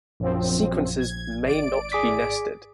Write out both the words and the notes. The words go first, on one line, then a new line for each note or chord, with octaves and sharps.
Sequences may not be nested.
A#1 F#2 F3 C4
G#6
G#1 D5 D7
G#4 D6 B6